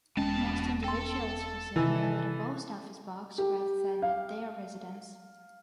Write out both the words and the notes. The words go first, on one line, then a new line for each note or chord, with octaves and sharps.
Most individuals receive mail at a post office box rather than at their residence.
E1 B2 G#3 C#4 A5
A4 G5 A5 C6
C3 D#3 E3 D#5 G#5 E6
G4
F5